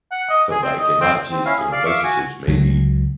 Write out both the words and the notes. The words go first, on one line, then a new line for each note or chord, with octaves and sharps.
I felt like, and not just in relationships, maybe
F#5
D#5
G#4
C4
D#5
C4
C4
C#4 E4 F5
G#4
D5 F5
E5 F5 C#6 D6
F#4 G#5
C#2 F#3